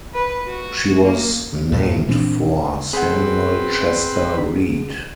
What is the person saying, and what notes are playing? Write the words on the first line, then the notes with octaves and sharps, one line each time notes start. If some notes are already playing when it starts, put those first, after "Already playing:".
She was named for Samuel Chester Reid.
B4
F#4
A#3
E2 G2 A#2
A#2 E3 C4 D4
C4 G#4 B4 F#5